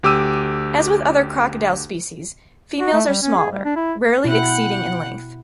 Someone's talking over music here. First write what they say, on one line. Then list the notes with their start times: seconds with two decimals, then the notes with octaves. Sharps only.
As with other crocodile species, females are smaller; rarely exceeding in length.
0.03 D2 G4 D6 E6 D#7
2.81 F#4
2.93 A3
3.08 G3
3.22 C#4
3.37 G#4
3.52 G3
3.65 D4
3.76 E4
4.24 B2 E4 F#5 G5